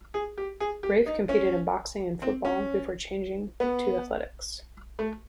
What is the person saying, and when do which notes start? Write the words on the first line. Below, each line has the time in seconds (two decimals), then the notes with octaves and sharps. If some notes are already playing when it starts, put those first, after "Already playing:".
Reiff competed in boxing and football before changing to athletics.
0.14 G#4
0.38 G4
0.60 G#4
0.83 G4
1.06 D#4
1.29 C#4
2.22 C4
2.45 C#4
3.60 B3
4.99 A3